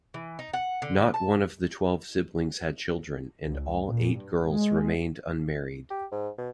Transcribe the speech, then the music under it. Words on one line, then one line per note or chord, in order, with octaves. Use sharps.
Not one of the twelve siblings had children, and all eight girls remained unmarried.
E3
D#4
F#5
D3
A5
C#2
A#2
G2
G#3
G4
G#2
B2